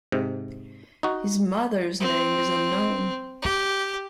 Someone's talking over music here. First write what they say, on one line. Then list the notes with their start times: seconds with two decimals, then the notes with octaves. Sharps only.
His mother's name is unknown.
0.12 G#2 C3
1.03 D#4 F#4
2.00 C4
3.42 G4